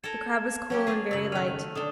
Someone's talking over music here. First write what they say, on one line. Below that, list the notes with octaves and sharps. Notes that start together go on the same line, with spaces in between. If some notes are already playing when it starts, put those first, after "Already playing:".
The crab was cool and very light.
A4 A#4 A5 G#6 E7
F#3 C#4 G4
A#3 F4 G#4
F#2 C#3 E6 F#7
D#3 A3 F6 D#7 F7
D3 D4 D#6 E7 G7